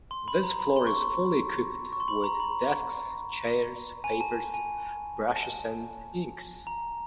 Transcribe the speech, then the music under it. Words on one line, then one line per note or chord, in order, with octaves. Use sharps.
This floor is fully equipped with desks, chairs, papers, brushes and inks.
C6
B5
A#5
B5
C6
C#6
C6
C#6
C6
B5
A#5
B5
G#5
A5
G#5
A5
A#5